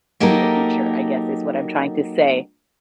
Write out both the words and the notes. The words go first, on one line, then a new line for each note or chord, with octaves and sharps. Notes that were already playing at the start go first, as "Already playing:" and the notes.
see the future, I guess is what I'm trying to say.
F#3 A#3 D#4 G4 A4 A#4